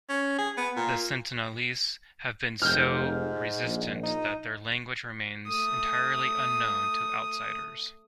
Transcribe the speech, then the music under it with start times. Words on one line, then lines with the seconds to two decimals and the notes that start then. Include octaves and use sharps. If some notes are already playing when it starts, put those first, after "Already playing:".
The Sentinelese have been so resistant that their language remains entirely unknown to outsiders.
0.09 C#4
0.38 G#4
0.57 B3
0.76 A#2
2.62 F1 G#2 F6 G6
3.64 A#1
4.03 D#4
5.47 A3 D#6